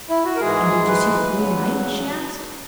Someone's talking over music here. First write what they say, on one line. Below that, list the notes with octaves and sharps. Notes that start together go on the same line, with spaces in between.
'And did you see the Green Knight?' she asked.
E4
F#4
A#4
G#2 E3 G#3 G#4
B4
E2 C#3 F#3